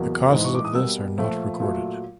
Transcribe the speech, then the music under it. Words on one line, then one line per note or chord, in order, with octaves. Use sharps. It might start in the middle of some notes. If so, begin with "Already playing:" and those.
The causes of this are not recorded.
Already playing: E2 B2 F#3 A#3
G#2 E3 G#3
C#6
D6
D#6
B2 G3 A#3 E6
A#2 F3 A3
A#2 F#3 A3